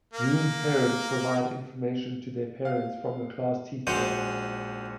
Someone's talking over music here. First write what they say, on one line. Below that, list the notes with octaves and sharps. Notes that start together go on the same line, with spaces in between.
Room Parents provide information to the parents from the class teacher.
A#3
F5
A#1 G#3 C#4 F#4 C5 G6